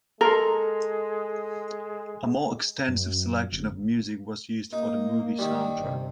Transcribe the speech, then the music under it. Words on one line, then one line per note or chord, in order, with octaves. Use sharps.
A more extensive selection of music was used for the movie soundtrack.
G#3 A4 A#4 C6
F#2
G1
A#3 D#4
D#3 G3
G1 C3